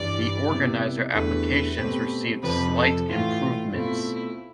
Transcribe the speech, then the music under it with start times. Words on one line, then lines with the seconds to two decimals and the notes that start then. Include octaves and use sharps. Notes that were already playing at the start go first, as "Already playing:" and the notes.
The organizer applications received slight improvements.
Already playing: G2 E3 G3 D4 D5
0.48 C3 G3 B3 E4 G4
1.12 E2 D3 A3 E4 G4 B4
1.77 B2 A3 C4 G4
2.43 F2 C3 F3 C4 B4
2.76 A4
3.08 A2 E3 A3 E4 F4
3.72 B2 A3 C4 E4 F4